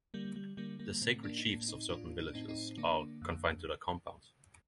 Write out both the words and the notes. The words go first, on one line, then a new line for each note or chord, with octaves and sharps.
The sacred chiefs of certain villages are confined to their compounds.
D3 G3 A#3
G3
D3 G3 A#3
G3 A#3
A2 A3 C4
A#3 D4
D#4
A2 A#3 D4
C4 D#4
A2 D4 F4
D#4
D4
A2 C4 D#4
C4 D#4
D3 A#3 D4
F2